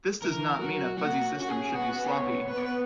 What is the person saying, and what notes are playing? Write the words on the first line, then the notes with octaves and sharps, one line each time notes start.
This does not mean a fuzzy system should be sloppy.
E3 A#4
F#3 F#4
A#3 F#4
C#4 F#4
G#4
B3 F#4
C#5
B3 B4
C#5
B4